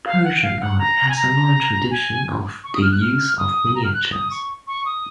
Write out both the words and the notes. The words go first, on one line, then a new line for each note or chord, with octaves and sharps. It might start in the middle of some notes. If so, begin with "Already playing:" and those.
Persian art has a long tradition of the use of miniatures.
F5
F#5
F5
F#5
A#5
G#5
A#5
G#5
C#6
D#6
F6
F#6
F6
D#6
A#5
F6
F#6
D#6
C#6
C#6
D#6